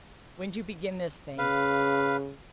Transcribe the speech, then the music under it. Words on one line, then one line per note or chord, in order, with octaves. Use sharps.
"When'd you begin this thing?"
C#3 B4 F5